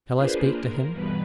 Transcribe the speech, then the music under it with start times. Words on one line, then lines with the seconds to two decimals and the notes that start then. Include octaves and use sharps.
Shall I speak to him?
0.16 A#3 D4 F4 G#4 B4 C5
0.49 A#4
0.90 E2 G2 B2 B4